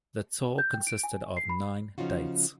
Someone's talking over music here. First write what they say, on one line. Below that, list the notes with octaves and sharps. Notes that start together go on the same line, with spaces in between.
The tour consisted of nine dates.
G6
G5
D7
G#5
C7
B5
C#3 F3 C#4 D#4 F4 F#4